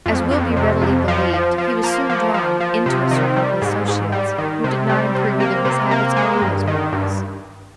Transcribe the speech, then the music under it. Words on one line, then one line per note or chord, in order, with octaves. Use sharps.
As will be readily believed, he was soon drawn into a circle of associates who did not improve either his habits or his morals.
F2
F2
C3
F2
F3
F3
F3
A#3
F3
F3
F3
C3
D#3
G3
G#2
G#2
G3
D#3
C3
G3
C3
A#3
C3
A#3
G#3
G2
D#3
G2